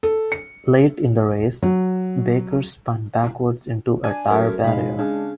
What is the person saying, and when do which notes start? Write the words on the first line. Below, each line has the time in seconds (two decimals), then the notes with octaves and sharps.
Late in the race, Baker spun backward into a tire barrier.
0.03 A4
0.32 C#7
1.63 F#3
4.04 D4 G#5 G#6
4.30 F#2 A3 A#4
4.64 B2 G#3 D#4 F5 B5
4.99 C#3 D4